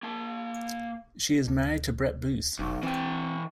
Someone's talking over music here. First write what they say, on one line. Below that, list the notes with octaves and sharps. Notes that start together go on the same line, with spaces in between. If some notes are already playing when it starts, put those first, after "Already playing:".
She is married to Brett Booth.
A#3 A5
D2
F1 B1
E3 C4 G5